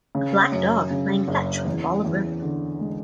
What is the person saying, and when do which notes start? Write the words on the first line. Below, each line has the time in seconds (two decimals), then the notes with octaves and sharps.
A black dog playing fetch with a ball of rope.
0.15 C#3
0.52 F#2
0.91 C#3
1.28 F#1
1.66 E2
2.04 E2
2.42 D3
2.80 G#3